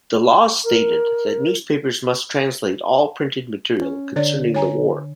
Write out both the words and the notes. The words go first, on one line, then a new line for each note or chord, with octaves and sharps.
The laws stated that newspapers must translate all printed material concerning the war.
A#4
C#4
D3 D4 C#5 D5
C#5 G#5 A#5